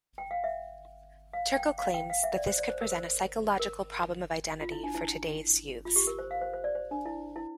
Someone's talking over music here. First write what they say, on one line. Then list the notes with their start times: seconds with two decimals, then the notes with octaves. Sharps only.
Turkle claims that this could present a psychological problem of identity for today's youths.
0.18 G5
0.31 F5
0.44 E5
1.33 F5
1.56 G5
1.78 F5
1.94 G5
2.10 F5
2.24 E5
2.36 D5
2.47 C5
2.58 D5
2.69 C5
2.81 A#4
2.92 C5
3.60 A#4
4.61 F4
4.72 E4
4.84 D4
4.95 E4
5.85 F4
5.96 G4
6.07 A#4
6.19 C5
6.31 F5
6.41 C5
6.53 C5
6.64 D5
6.75 C5
6.91 D4
7.06 E4
7.36 E4